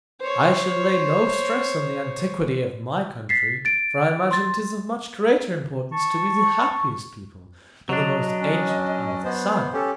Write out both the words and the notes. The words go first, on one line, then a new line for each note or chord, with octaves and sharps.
I shall lay no Stress on the Antiquity of my Country; for I imagine 'tis of much greater Importance to be the happiest People, than the most antient under the Sun.
C5 C#5
A6 B6 C7
A6 D7
C6 A6
A5 C#6
F#3 D4 D#5
C#4
B3 C5
C#4 G4 A4